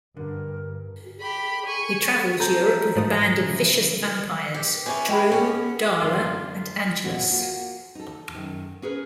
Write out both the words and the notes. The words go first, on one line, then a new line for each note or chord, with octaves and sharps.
He travels Europe with a band of vicious vampires, Dru, Darla, and Angelus.
G2 D3 A#4
G4 B5
G#5 C#6
C4 A4 A#5 G6
G#2 F3 A3 D#6
C#3 E3
G4
E3 C#4 G#4 D5
D#5 G5 B5
B3 C#4
F#2 D3 F4
D#2 A#2 B3 C4 F#4
A#3 F4 F#4
D#4 A4
F#2 D#3
C#4 G#4 A#4 B4